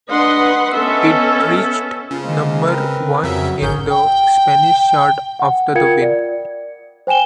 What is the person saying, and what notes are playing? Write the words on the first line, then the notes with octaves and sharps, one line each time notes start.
It reached number one in the Spanish chart after the win.
D4 B4 D#5 F#5 C6
B3 C#4 A4 D#5 E5
C#3 F4
G#3 A#3 C5
C4 A#4 B4
F2 C#3 F#3 E5
G#1 G#4 A#4 C#5 G6
G5
F#5
F4 A#4 F5 G5 G#6 C#7
D5
C5 G5 G#5 E7 G7